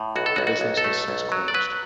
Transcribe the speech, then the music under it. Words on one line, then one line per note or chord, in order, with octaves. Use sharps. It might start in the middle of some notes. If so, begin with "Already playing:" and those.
The business has since closed.
Already playing: A2
B1 F#4
A4
B1 F#4
F#4
B1
A4
A3
B1
F#3
D5
F#3 B4